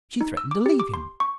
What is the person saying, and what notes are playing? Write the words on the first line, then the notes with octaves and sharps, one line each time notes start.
She threatened to leave him.
D#4
E6
D6
G4
D6
C6
C#6